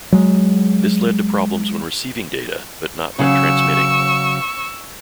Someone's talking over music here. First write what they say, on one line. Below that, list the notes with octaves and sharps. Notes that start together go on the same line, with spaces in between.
This led to problems when receiving data, but not when transmitting.
F#3 G#3
C#3 F#3 F5 C#6 E6